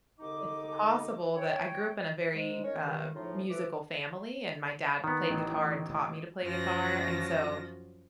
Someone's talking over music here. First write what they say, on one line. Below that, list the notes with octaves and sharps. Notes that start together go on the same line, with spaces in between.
it's possible that I grew up in a very, uh, musical family, and my dad played guitar and taught me to play guitar, and so
C2 D3 D#4 D#5 D6
C#5 G5
G#2 G#3
C#4 D#4 A#4 C#5
G2 D#3
A2 C#3 F3 D#4 F4
E3 F3 A4 B4 D6
D#3 B3
A1
F#2 F3 F#3 A#6